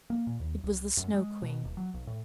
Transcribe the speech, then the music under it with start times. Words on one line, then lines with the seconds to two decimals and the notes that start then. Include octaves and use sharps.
It was the Snow Queen.
0.10 A#3
0.27 A#2
0.40 D#2
0.63 C2
0.97 F#2
1.14 G#3
1.42 B2
1.64 D1
1.77 F#3
1.94 B1
2.07 A2